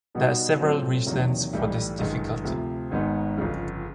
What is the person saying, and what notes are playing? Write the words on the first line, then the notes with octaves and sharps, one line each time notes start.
There are several reasons for this difficulty.
B2 G3 B3 D#4 F#4
A2 F#3 A3 C4 F4
E2 C3 D#3 F#3 A#3
B1 A2 E3 G3
G1 F#2 D#3 G#3
D2 C3 F3
G#1 G#2 D#3 G#3 B3
G1 F2 C#3